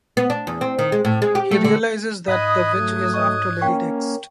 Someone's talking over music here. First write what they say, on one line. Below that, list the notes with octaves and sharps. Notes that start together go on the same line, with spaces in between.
He realizes that the witch is after Lily next.
B3
D4
E2
C4
D#3
G#3
A2
G#3
G4
A3
D3
G#2 D#5 F5 B5 D#6 F#6 G#6
F#3 A3
C#5 D#5 C#6
A#3 C#4 F5 G5 C#6